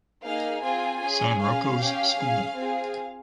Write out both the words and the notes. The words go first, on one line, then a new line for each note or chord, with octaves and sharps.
San Rocco’s School.
A#3 D#4 G#4 F5
C4 F4 G#4 G#5
C#4 G#4
C#4 G#4 F5
C#4 G4
C#4 G#4
C4 F4 G#4